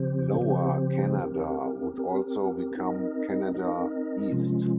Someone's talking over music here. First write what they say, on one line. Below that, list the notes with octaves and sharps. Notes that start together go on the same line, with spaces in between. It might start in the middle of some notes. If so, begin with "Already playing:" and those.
Lower Canada would also become Canada East.
Already playing: C#3 F3 C4 G4 C5
C#3 F3 C4 G4 C5
C4 G4 A#4
C4 G4 A#4
C4 D#4 A#4 D#5
C4 D#4 A#4 D#5
C3 F3 G#3 C#4 F4